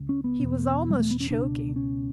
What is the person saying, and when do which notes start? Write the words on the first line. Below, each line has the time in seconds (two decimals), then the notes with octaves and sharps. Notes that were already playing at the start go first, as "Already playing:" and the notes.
He was almost choking.
Already playing: C#2 C#3
0.09 C#4
0.24 B3
0.39 E2 B2
0.90 G3
0.99 A3
1.11 B3
1.20 C#4
1.30 C#2 B2 D4
1.76 C#4